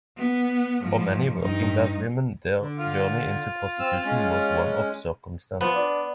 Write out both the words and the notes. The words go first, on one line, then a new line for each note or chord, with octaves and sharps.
For many working class women their journey into prostitution was one of circumstance.
B3
G#2 F3
G2 D#4
D3
F4
C4 E6
G#3 C#4
F3 B3
D4